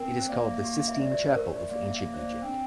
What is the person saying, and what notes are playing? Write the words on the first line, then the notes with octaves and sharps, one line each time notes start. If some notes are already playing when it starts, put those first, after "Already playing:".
It is called the Sistine Chapel of Ancient Egypt.
Already playing: C4 A#4
C5
A#3 D5
E5
G4
F5
E5
A3 D5
E5
D5
C5
A#4
D5
A#3 D5
E5
F5
E5
C5
D5
C5
C4 D4